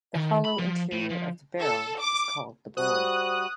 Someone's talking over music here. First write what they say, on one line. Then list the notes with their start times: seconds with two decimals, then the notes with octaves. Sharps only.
The hollow interior of the barrel is called the bore.
0.15 D#3
0.45 B5
0.58 F3
0.93 A2
1.11 F3
1.60 A4
2.00 D6
2.77 G3 F#4 C5 D#6 F#6